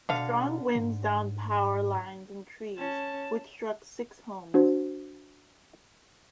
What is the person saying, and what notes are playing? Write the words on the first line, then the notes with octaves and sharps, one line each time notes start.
Strong winds downed power lines and trees, which struck six homes.
B2 D3 F5
G#2
C#4 A5
D4 F#4 C5